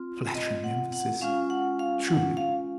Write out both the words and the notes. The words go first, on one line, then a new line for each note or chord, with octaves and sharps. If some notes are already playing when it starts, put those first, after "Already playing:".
A flattering emphasis, truly!
Already playing: C4 F4
D#5
F#5
F#5
G#3 C#4 F4 F5
F#5
F5
F#5
F5